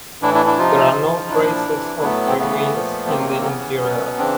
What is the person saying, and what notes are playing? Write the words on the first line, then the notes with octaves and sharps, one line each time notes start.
There are no traces of remains in the interior.
A2 E3 D4 E4
D4 E4
D4 E4
C3 F3 D#4 F4
C#3 F3
A#2 F3 D4 E4
C3 E3
A2 F#3 A3 B3
C4
C#3 E3 A3 B3
A#2 F3
C3 D#3 F#3 A#3 C4
C#3 E3 B3 C#4
B2 F#3
C#3 E3 C4 D4